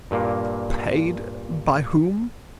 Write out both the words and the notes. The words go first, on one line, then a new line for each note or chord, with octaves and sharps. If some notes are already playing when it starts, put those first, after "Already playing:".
"Paid, by whom?"
G2 A#2 A#3